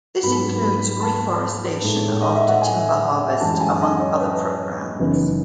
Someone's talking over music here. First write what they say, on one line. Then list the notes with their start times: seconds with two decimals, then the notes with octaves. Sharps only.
This includes reforestation after timber harvest, among other programs.
0.23 G#2 F#3 B3 B5
0.62 B5
1.02 A5
1.81 A2 G#3 D#4
2.08 C#5
2.22 D#5
2.35 E5
2.48 F#5
2.62 G#5
3.40 F#2 E3 G#3 C#4 E4 A5
3.61 G#5
3.81 D#5
4.00 C#5
4.20 B4
4.99 F#1 F#2 E3 B3 D#4 B4